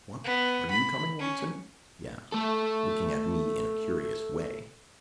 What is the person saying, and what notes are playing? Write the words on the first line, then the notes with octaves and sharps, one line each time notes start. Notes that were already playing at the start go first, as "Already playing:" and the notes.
"What, are you coming, Watson?" he asked, looking at me in a curious way.
B3
B5
C#4
A3 A4